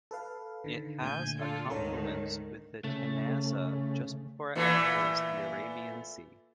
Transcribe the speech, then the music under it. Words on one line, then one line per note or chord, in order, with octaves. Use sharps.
It has a confluence with the Tanasa just before it enters the Arabian Sea.
A4 B4 F5
D3 D#3
A#2 D3 A3 G#5 G6
D4 F4 A4
D2 G#2 D#3 A4 A#4 C#5
C#3 A3
A#2 E3 A3